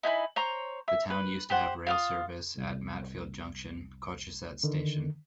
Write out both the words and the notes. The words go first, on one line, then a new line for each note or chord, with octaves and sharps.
The town used to have rail service at Matfield Junction, Cochesett station.
D#4 E4 G#5 B5
C5 C#5 A#5
E5
B4
G4 C5 F#5
F4 F5 D#6
C2
D3 D#3